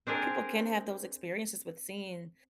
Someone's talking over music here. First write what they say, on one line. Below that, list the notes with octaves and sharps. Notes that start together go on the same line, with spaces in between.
people can have those experiences with seeing
C4 D4 G#4 A#4